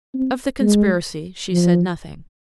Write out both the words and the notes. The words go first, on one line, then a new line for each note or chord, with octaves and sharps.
Of the conspiracy she said nothing.
C4
G#3
F3